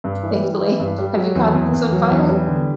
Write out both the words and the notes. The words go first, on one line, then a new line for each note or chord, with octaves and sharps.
thankfully. Have you caught things on fire?
G2
E3
G3
E3
G2
G3
F#3
E2
E2
E2
F#3
E2
G3
D3